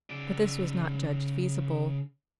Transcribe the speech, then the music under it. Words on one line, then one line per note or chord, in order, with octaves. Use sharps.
But this was not judged feasible.
C#3 D5